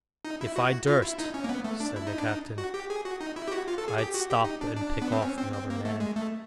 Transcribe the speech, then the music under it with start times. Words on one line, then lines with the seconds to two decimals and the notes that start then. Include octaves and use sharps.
"If I durst," said the captain, "I'd stop and pick off another man."
0.25 D#4
0.41 E4
0.56 F#4
0.87 F4
1.02 E4
1.19 D#4
1.34 C#4
1.44 A#3
1.49 B3
1.64 A3
1.80 D4
1.96 E4
2.07 D#4
2.18 D4
2.29 D#4
2.58 F#4
2.74 G4
2.90 G#4
3.05 F#4
3.21 D#4
3.36 E4
3.48 G4
3.52 F#4
3.68 F4
3.78 A4
3.88 G#4
3.98 G4
4.14 F#4
4.30 G4
4.44 D#4
4.61 D4
4.76 D4
5.02 B3
5.12 C4
5.22 C#4
5.38 C4
5.53 C4
5.70 A#3
5.85 A3
6.00 G#3
6.16 A3